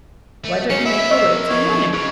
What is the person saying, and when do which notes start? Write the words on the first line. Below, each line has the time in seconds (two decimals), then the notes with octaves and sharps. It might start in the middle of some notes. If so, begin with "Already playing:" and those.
"Why don't you make her wait till morning?"
0.44 A3
0.70 G#2 F#3 C#4
0.85 C#4 E4 E5
1.11 A#3 C5 D#5 C#6 E6
1.49 F2 D#3 E3 C#5
1.93 C#3 G#4 C#6